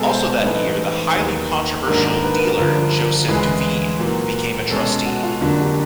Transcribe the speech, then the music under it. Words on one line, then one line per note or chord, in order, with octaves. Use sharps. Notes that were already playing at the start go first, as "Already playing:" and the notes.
Also that year the highly controversial dealer Joseph Duveen became a Trustee.
Already playing: B2 G#3 B3 G#4 A4
C5
A2 E3 A3 C4 D#4 B4
D#2 D#3 F#3
G#2 D#3 F#3 A#3 D4 A#4
A#4
B4
A#4
G2 D3 F3
D2 C#3 E3 G#3 B4
A#2 F#3 A#3
B2 G#3 C#4 A4
F#4
F4
F2 D3 F#3 A#3 D4 F#4
G4